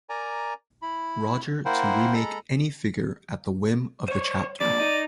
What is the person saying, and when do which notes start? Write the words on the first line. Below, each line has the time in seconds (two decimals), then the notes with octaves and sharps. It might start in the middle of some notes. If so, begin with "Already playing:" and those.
Roger to remake any figure at the whim of The Chapter.
0.09 A#4 D5 G#5 A#5
0.82 E4 B5
1.65 A#3 E4 A#4 C5 F#5 G5
2.14 G#3 A4 A#5 B5
4.08 C5 C#5
4.60 F2 A#2 D5
4.80 D#4